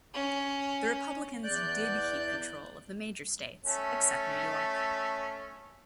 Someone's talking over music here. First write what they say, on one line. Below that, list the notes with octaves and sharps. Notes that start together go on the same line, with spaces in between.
The Republicans did keep control of the major states except New York.
C#4
E2 D5 F#6 G6
A3 C#4